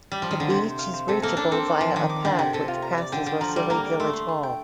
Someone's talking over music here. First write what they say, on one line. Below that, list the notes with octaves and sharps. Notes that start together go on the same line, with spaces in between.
The beach is reachable via a path which passes Rhossili village hall.
G3
F3
D#3
D3
C3 C5
C5
F5
C5
C3 A4
A#3 A4
D4 A4
C4 A4
D6
F3 A5
D#3 D6
D6
D3 G5
C3 G5
C3 A4
F4
A#5
D5
D3 G5
D3 G5
F3 A#5
G3 D5
A#3 A#5
D5
A3 C6
C6
C6
G5